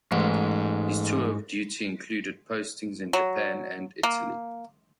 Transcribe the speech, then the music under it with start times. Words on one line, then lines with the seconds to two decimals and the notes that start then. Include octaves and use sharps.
His tour of duty included postings in Japan and Italy.
0.12 A1 G#2
3.13 F#3
4.03 A#3